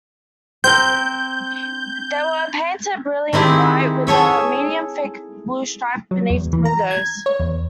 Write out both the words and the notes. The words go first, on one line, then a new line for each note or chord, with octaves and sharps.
They were painted brilliant white with a medium-thick blue stripe beneath the windows.
C4 A#4 G6
D#3 C4 E4 G4 G#4
G#4 A4 C#5 E5
F#3
E2
E3
A#5
G#6
C#5
E2